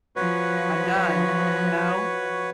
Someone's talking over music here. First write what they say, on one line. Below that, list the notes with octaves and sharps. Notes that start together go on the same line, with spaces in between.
"I'm done." You know?
F3 F#4 B4 C#5